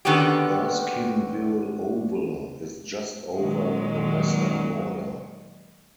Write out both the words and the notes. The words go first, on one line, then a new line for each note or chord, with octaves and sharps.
Erskineville Oval is just over the western border.
D3 D#3 B3 C#4 F#4 G4
A#2 D#3 F#3 G#3